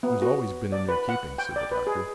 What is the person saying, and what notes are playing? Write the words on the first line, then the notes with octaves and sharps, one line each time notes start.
"It has always been in your keeping," said the Doctor.
B3
F#4
D5
B4
F#5
G5
D5
B4
G#4